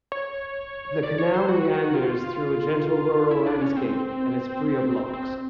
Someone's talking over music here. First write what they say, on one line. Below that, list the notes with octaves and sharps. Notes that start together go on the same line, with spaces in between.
The canal meanders through a gentle rural landscape and is free of locks.
C#5
D5
C#5
C5
F#4
F4
E4
D4
C#4
C4
C4